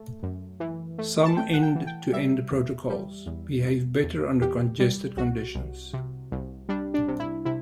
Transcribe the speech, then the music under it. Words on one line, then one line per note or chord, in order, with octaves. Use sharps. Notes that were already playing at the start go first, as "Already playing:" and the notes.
Some end-to-end protocols behave better under congested conditions.
Already playing: A3
F#2
E3
A3
A5
A3 G5
F#5
G5
E3
G5
G3 E5
E2
G3
E2
B2
E2
E2 G4
G3
C2 F#4
C2
C3
C2
G3 D4
D4
C3
E4
C3 E4